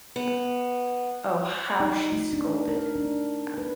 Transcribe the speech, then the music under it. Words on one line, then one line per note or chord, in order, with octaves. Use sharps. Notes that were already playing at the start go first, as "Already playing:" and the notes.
Oh, how she scolded.
B3
D#4
A3
D4
A#4
D4
B4